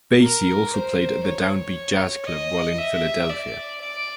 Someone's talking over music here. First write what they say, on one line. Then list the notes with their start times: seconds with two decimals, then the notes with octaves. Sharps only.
Basie also played at the Downbeat jazz club while in Philadelphia.
0.22 A#4
0.73 C5
1.24 C#5
2.27 D#5
2.78 E5
3.29 D5
3.81 D5